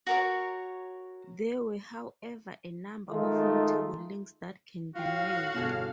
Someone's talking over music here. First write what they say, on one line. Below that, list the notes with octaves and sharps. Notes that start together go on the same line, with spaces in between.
There were, however, a number of notable links that can be made.
F#4 A#4 C#5
D#3 G#3 A3 D#4 F4
A2 F4 F#4 F5 G5 F6
G1 B2 D4 G#4 A4